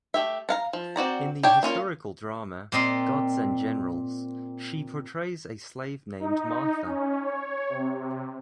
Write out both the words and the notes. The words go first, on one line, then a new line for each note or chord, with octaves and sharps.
In the historical drama "Gods and Generals", she portrays a slave named Martha.
A3 G4 E5
D4 F5 A#5
F3
C4 F#4 D5 A#5
D4 G4 C#5 G5
A#3 C#4 F4
A#2 C4 D#5 C6
D#4
C#4
C#5
C3